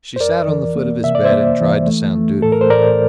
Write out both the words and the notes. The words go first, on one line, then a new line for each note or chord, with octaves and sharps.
She sat on the foot of his bed and tried to sound dutiful.
C5
F2 A#4 D5
E3
A#3
C3 E5
D5
C5 E5
A#3
E3
A3
A3
A2 A4
A#4
C5
A2 A#4 D5